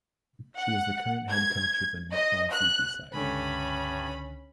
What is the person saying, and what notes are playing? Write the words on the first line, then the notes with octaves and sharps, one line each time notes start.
She is the current head coach of the Netball Fiji side.
F#5
G#6
D#5
F#6
C#2 G2 D3 C#4 G#5 B5